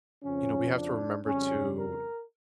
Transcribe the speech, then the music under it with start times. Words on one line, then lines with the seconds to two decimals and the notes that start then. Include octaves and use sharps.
you know, we have to remember to
0.23 F2 C#3 F3 C#4
0.74 D4
1.26 F2 C#3 G3 C#4
1.77 A#4